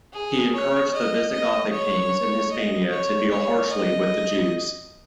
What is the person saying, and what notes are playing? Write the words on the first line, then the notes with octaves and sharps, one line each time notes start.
He encouraged the Visigothic kings in Hispania to deal harshly with the Jews.
G#4
C#5
D#5
D#5
C#5
D#5
C#5
C#5
D#5